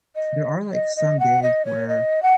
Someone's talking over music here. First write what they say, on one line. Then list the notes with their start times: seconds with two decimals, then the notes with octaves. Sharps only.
there are, like, some days where,
0.15 D#5
0.73 D#5
0.96 D#5
1.19 F#5
1.42 D#5
1.65 C#5
1.88 D#5
2.22 F#5